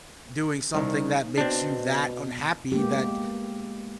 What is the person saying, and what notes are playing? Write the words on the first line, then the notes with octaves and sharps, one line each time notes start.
doing something that makes you that unhappy, that
C2 D#3
B2 C4 D4
G#3 A#3 B3 G4